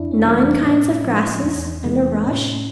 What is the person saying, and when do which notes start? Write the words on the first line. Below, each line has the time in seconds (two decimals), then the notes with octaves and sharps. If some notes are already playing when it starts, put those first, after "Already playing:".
Nine kinds of grasses, and a rush.
Already playing: F2 D4 E4
0.11 C#4
0.25 C3 E3 G3 A#3
0.38 C#4
0.65 A2 C#4 D#4
1.04 F3 G#3
1.44 E2
1.84 C3 E3 G#3
2.24 A2 C#4